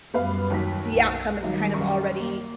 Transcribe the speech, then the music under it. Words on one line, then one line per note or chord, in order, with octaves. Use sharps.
the outcome is kind of already
F#2 G3 B3 B4 F5
D#2 F#3 B6
B1
D#3 F#3 G3 D#4 F5
F#2 C#6
A#3